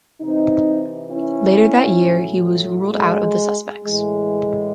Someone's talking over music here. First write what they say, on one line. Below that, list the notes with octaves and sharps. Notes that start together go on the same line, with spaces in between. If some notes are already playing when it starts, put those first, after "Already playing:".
Later that year, he was ruled out of the suspects.
C3 E3 C4 D#4
C#4 E4
A2 F#3
G#3
A2 E3 G#3